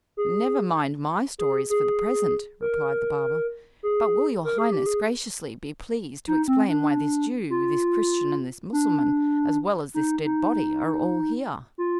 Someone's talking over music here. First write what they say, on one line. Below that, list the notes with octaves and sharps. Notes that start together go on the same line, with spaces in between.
"Never mind my stories for the present," replied the barber, "but will your Highness graciously be pleased to explain why this Jew, this Christian, and this Mussulman, as well as this dead body, are all here?"
G#4
G#4
G#4
A#4
G#4
A#4
G#4
G4
G#4
D#4
C4
D4
F4
D4
D#4
D#4
F4